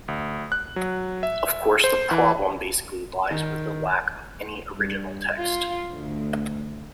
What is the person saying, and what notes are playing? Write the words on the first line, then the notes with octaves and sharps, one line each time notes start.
Of course the problem basically lies with the lack of any original text.
D2
F#6
F#3
E5
C5
E3
D#3
G2
F4
D2